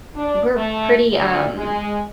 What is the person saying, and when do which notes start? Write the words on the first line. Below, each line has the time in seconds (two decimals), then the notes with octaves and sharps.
we're pretty, um
0.15 D4
0.56 A3
1.12 D2
1.56 G#3